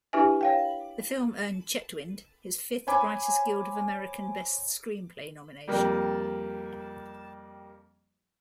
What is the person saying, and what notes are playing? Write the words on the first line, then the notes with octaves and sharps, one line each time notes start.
The film earned Chetwynd his fifth Writers Guild of American "Best Screenplay" nomination.
D4 E4 G4 B4 E5 G#5
C#5 F5 G5
C5 C#5 G#5 B5 D6
F2 G3 A#3